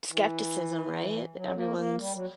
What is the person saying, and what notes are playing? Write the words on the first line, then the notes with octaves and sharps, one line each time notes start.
skepticism, right, everyone's
E3
F#3
A#3
A#3
G3
F#3